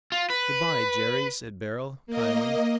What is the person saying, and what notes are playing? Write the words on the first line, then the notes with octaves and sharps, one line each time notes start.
"Good-bye, Jerry," said Beryl, kindly.
F4
B4
A#3 D#5